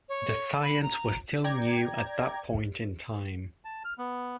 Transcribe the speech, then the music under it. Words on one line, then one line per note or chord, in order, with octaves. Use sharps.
The science was still new at that point in time.
C#5
B5
A#5
D5 G5 A#5 G#6
A5
F6
B3